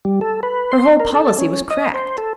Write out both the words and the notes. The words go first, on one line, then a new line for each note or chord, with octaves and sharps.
Her whole policy was cracked.
G3
A4
B4
C6
A#4
A4
C#4
D#5
C5
A4